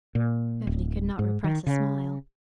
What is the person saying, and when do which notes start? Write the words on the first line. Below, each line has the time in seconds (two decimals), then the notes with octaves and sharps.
Beverly could not repress a smile.
0.15 A#2
0.67 D1
1.19 G#2
1.44 D#3
1.67 C#3